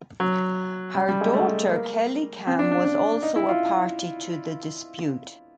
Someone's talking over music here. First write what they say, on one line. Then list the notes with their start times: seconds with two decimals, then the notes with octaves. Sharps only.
Her daughter Kelly Kam was also a party to the dispute.
0.20 F#3
0.95 G3
1.09 G3
1.21 G#3
1.34 A3
1.71 A#3
2.47 C4
2.59 D4
2.72 D4
2.85 D4
3.23 D#4
3.36 E4
3.49 F4